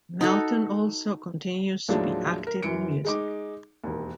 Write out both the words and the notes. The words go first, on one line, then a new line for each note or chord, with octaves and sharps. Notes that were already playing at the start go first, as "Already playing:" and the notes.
Melton also continues to be active in music.
D#4 F#4 A4
D#2 A2 F3 F#3 G#3 D4
A#4
F#2 E3 C#7 D7
G#3 D#4 D6
E1 D#2